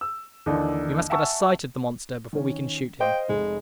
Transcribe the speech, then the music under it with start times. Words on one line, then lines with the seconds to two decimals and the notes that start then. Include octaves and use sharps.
We must get a sight at the monster before we can shoot him.
0.01 E6
0.46 D#2 D3 E3 D4 D#4 D5
1.10 E5 F#5 G#5 A5 C#6 E6
2.33 D#3 C#4
3.00 C5 D#5 F5 G5
3.29 F1 G#3